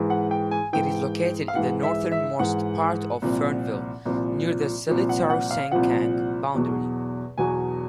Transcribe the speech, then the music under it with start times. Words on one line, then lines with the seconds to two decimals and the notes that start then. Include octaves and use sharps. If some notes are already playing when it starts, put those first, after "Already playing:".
It is located in the northernmost part of Fernvale, near the Seletar-Sengkang boundary.
Already playing: G#2 E3
0.10 F#5
0.31 G5
0.51 G#5
0.73 G#2 E3 G5
1.48 F5
1.55 G#2 E3 F#5
1.83 E5
2.12 E5
2.39 G#2 E3 F#5
3.22 C2 A#2 F3
4.05 C2 A#2 F3
4.88 C2 A#2 F3
5.09 F#5
5.30 F#5
5.51 F5
5.72 C2 A#2 F3 F#5
6.54 E2 B2 F#3
7.38 E2 B2 F#3 G#5